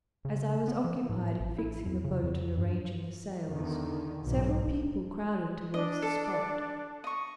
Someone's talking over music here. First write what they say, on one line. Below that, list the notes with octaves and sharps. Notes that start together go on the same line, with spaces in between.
As I was occupied in fixing the boat and arranging the sails, several people crowded towards the spot.
C#3
B3
F3
A2
A1
E4
F2
C#3
F2
G2
E2 D3 D#3
B1 G#2
D4 D#5
A4
D#5 C#6